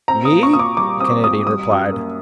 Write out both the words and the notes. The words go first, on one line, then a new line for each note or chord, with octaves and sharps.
"Me?" the Canadian replied.
C4 A#5
D#6
A#2
C#6
A#2 D#6
D6
G3 D6
C4 D#6
A#2 D#6
G3 D#6
F#2
A#3